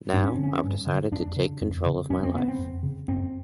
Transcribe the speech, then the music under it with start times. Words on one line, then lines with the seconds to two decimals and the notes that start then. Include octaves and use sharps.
Now, I've decided to take control of my life.
0.13 G2 D4
0.24 C#4
0.34 C4
0.38 D3 C#4
0.64 G2
0.87 D3
1.12 F2 D4
1.37 C#3
1.61 F2
1.86 C#3
2.10 F2 C#4
2.23 C4
2.35 C#3 B3
2.48 C4
2.58 F2
2.83 C#3
3.08 F#2 C4